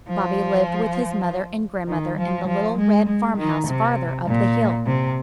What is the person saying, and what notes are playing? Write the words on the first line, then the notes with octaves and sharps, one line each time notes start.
Bobby lived with his mother and grandmother in the little red farmhouse farther up the hill.
F3
D#3
F3
F3
G#3
G#3
D#3
C3
A#2
C3